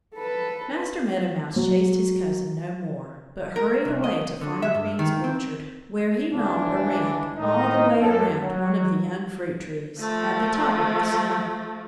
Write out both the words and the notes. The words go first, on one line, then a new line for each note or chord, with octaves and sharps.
Master Meadow Mouse chased his cousin no more, but hurried away to Farmer Green's orchard, where he gnawed a ring all the way around one of the young fruit trees, at the top of the snow.
A4 B4
F#3
A#4
C2
D#5
D3
E5
G2
D#3
C4
C#2 E3 D4
A2 D#3 D#4 D#5
F#2 A4
F#3
F3 A3